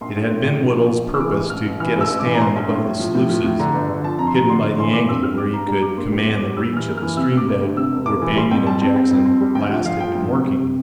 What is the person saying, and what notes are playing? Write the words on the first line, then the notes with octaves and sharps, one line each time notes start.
It had been Woodhull's purpose to get a stand above the sluices, hidden by the angle, where he could command the reach of the stream bed where Banion and Jackson last had been working.
A#1 C6
A#1
A2
A#1
F3
A#1
A#1
A#1
E6
E3 D6
A1
A1 F6
A1
E3 F6
A1
E6
A1
D6
E3
A#5
A#1 C6
A#1
A2
A2
F3
A2
F3
A2
D3 A#5
G1
D3
F3 A5
F2 A#5
C6
F3 A#5
D3 C6
D3
E3 C6
G2 D6
C4 E6
G3 F6
G3 D6
G2 A#5
G3 A#5
G2 D6
A#3 C6
G3
D6
E2
D6
G3
G3 E6
E3 F6
A#3
E3 F6
C3 E6
D2
D6
D2
D2
C3 E6
E1
E1 D6
E3
G3 C6
F2 G5
G3 A5
C4
C4
F2
C4
G3
D2 G5
F3 G5
F3 F5
F3 G5
D2
C3
C3
C3